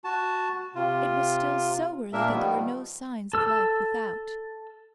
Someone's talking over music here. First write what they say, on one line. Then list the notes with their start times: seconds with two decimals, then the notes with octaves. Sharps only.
It was still so early that there were no signs of life without.
0.04 F#4 A5
0.75 C3 F4
2.13 A#2 A#3 D4 A#4 E5
2.30 D#3 F3 G3 B3
3.33 A4 E6